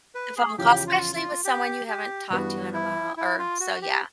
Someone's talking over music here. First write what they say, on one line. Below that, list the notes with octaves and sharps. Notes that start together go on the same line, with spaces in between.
a phone call, especially with someone you haven't talked to in a while, or so, yeah.
B4
G#4
E2 C#3 F3 G4
F4
F4
G4
G4
G2 E3 G3 B3 F#4
E4
E4
F4
F#4
G4